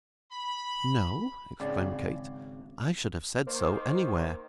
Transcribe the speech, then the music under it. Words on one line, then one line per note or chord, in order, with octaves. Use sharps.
'No!' exclaimed Kate, 'I should have said so anywhere.'
B5
G#1 C#3 D5
D#3 A#3 C5